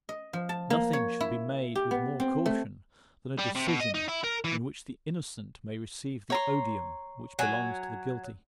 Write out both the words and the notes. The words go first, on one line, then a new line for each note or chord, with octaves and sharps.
Nothing should be made with more caution than a decision in which the innocent may receive the odium which belongs to the guilty.
D#5
F3
A5
A#3
C#5
E4
G4
B3
C4
A3
G3
C3
B2
D#5
D#4
E4
A#4
E3
C#5 A#5 C6
F#3 G#5